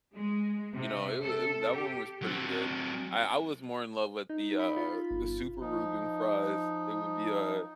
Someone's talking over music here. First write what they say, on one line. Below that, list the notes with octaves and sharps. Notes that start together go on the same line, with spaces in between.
you know, it was it was that one was pretty good. I I was more in love with the, uh uh the super Reuben fries, it would be, uh,
G#3
C3
A4
G4
F#3 C4
D#4
B5
F4
G1
F3 D#4